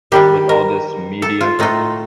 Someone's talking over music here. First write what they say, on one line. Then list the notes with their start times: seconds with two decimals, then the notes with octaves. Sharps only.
with all this media.
0.12 D#3 G3 D4 G4
0.49 A#4
1.22 A4
1.41 F4
1.59 A2 A3 D#4 F4